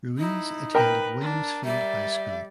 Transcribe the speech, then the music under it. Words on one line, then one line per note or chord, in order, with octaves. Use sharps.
Ruiz attended Williams Field High School.
D#4 E4
A#4 B4 G5 A#5
D4
G3 D5 E5